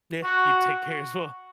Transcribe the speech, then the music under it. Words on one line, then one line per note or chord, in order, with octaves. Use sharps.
Yeah, you take care as well.
F#4